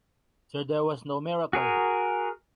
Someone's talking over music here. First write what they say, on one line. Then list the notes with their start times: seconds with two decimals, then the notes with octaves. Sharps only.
So there was no miracle?
1.53 F#4 G#4 A#4 G#5